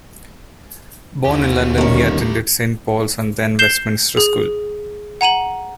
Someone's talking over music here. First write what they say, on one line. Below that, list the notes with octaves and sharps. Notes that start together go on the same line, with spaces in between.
Born in London he attended Saint Paul's and then Westminster School.
D#2 E4 G4
G1 D#3 C#4
G6 C7 E7 G7
G#4
F#5 A#5 D#7 F#7